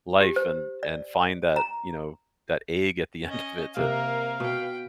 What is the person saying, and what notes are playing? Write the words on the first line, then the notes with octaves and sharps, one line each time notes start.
Life and and find that, you know, that egg at the end of it to
G4
C5
D5
A#5
C#4 D#5
C3 A#3 A#4 F5
B2 B4 G5